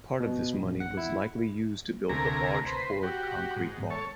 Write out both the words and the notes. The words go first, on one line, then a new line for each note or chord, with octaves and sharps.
Part of this money was likely used to build the large poured concrete barn.
B2
A#1
F#5
E4
D2 C3 A3 A#4 G#5 A#5
B4 C5
F#4 G4
G#2
A4 C#5